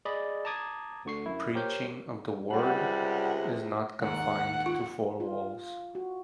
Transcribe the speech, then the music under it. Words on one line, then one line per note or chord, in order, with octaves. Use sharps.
Preaching of the Word is not confined to four walls.
G#4 D5 D#5 B5
A5 A#5 D6 D#6 G#6
D2 D3 C#6 C7
F#2 E4
G4 A#4 C5 C#5 G6
C#2 C3 G3 F#5
D#2 G#2 F#5
F4
F4
F#4